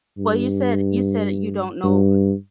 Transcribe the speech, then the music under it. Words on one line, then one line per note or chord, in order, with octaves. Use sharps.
Well, you said you said you don't know
G2
G2